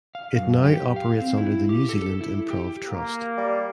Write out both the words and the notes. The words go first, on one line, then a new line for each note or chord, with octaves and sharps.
It now operates under the New Zealand Improv Trust.
F5
F#2
G4
F5
C4
E4
G4
A4
A4
E4
G4
A#3
G3